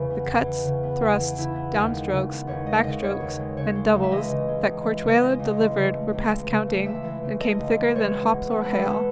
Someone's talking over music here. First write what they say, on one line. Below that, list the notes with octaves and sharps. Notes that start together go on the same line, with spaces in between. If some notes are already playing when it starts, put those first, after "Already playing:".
The cuts, thrusts, down strokes, back strokes and doubles, that Corchuelo delivered were past counting, and came thicker than hops or hail.
Already playing: E2 C#3 E3
B3
E2
E3
C#3
B3
E2
E3
C#3 E4
B3
D#2
G#3
C#3
B3
D#2 C#5
G#3 D#5
C#3 D#5
B3 C#5
D#2
G#3
C#3 C#5
G#3
C#2
E5
E3 D#5
C#3
G#3
C#2
E3
C#3
G#3 D#5
C#2
E3
C#3
A3
C#2
E3
C#3
A3
C#2 E5
E3
C#3
A3 D#5
C#2
E3
G#3 C#5
B2
B2
B3 A4
G#3 B4
A4
B2